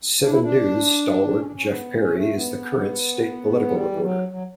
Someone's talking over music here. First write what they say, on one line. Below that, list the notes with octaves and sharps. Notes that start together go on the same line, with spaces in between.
"Seven News" stalwart Geof Parry is the current state political reporter.
D4
E4
D4
C#4
D4
C#4
B3
C#4
A3
B3
G3
E3
F#3
F#3